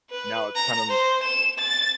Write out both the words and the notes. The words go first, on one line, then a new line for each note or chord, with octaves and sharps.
Now, it's kind of
B4
A#5
C5
E7
A6